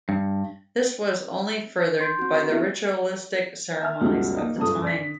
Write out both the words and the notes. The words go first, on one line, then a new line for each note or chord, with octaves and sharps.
This was only furthered by the ritualistic ceremonies of the time.
G2
D#4 C6 G6 D7
C4 F#4
B3 C4 E4 G4 E5
E5 G#5 F6
C#2 F#2 B2 G3 A3 D#4
A#3 D#4
F#1 G2 A#2 A4 D#6
D5 B6